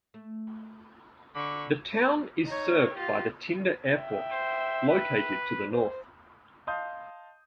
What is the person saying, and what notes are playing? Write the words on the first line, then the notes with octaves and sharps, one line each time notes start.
The town is served by the Tynda Airport, located to the north.
A3
D3 B5 C#6 D6
D#4 C#5
F4 G4
E5 G5
C5
B4
C5
D#5 F5 A5 C6 D#6 G6